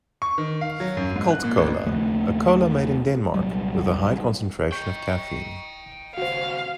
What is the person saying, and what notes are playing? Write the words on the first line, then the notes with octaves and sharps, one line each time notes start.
Cult Cola a cola made in Denmark, with a high concentration of caffeine.
C#6
D#3
F5
F#3
F#2
G#2
F#6
A#2
A1
D#2 C#3 F3 A3
C2 A#2 F#3 G3
D#5 G5 C#6 G6
D#2 C#3 F#4 C5 F5